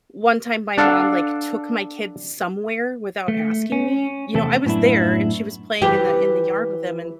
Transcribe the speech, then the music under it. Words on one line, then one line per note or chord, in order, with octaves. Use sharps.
one time my mom, like, took my kid somewhere without asking me, you know, I was there, and she was playing in the in the yard with him, and
D4 A4 F5 F#5
A3
C#4
E2 C3 A3 C4 A4
F#2 A2 B3 D4 E4
E3 G4